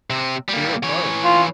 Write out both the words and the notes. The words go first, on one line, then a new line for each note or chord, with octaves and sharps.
here above,
C3 C4
G3 A#3
E3 C#5
F4